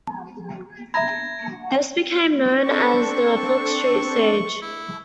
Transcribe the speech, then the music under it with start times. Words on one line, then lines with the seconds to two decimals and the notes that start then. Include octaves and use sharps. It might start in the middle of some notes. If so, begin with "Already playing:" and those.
This became known as the Fox Street Siege.
0.94 E5 A#5 B5 G#6 A#6
2.63 C4 D4 A4 C#6
4.62 E4